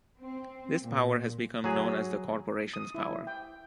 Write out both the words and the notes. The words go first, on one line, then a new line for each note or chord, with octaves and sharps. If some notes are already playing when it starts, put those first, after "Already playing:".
This power has become known as "the corporations power".
C4
A#2
F#3 G#4
D#6
E4
G5